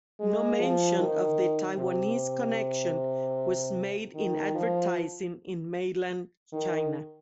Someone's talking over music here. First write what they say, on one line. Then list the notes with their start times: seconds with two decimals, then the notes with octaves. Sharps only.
No mention of the Taiwanese connection was made in advertising in mainland China.
0.20 G#3
0.59 F3
0.99 D#3
1.78 C3
4.15 D#3
4.54 F3
6.52 D#3